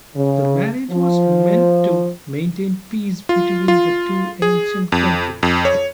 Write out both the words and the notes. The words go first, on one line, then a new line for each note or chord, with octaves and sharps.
The marriage was meant to maintain peace between the two ancient countries.
C#3
F3
F4
F4
G#4
F2
F2
C#5